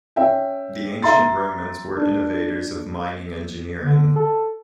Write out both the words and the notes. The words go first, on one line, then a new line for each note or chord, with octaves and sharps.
The ancient Romans were innovators of mining engineering.
C#4 E5 G5
E5 A#5 C6 A6
D4
D3
A4